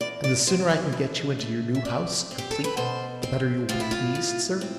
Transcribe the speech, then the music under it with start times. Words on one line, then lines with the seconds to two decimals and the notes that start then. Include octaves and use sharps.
And the sooner I can get you into your new house, complete, the better you will be pleased, sir?'
0.01 E2 D5
0.24 D5
0.47 E2 C5
0.70 C5
0.92 B2
1.39 A3
1.75 E5
1.85 C4 D5
2.31 C4
2.38 G4
2.51 A4
2.64 B4
2.77 B2 C5
3.23 C4
3.69 A2 F4
3.80 E4
3.91 F4
4.15 A2
4.61 C4